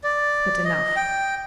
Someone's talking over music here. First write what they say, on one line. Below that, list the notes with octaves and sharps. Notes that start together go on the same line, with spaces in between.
But enough.
D5
D#5
G5